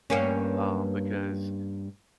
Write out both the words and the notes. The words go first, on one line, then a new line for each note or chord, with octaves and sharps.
Um, because,
G2 A#3 C#4